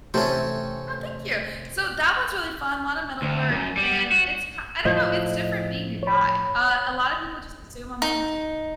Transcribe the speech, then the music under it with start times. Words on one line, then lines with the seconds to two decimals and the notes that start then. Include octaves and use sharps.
Oh, thank you, so that one's really fun lotta metalwork, and it's ki I don't know, it's different being a guy, uh a lotta people just assume I'm some dude
0.14 C3 E3 A3 C4 C#4 A4
3.22 D2
3.52 F#2
3.77 G3
4.12 F#4
4.85 A2 F3 D#5
6.03 C#5 B5
8.02 D#4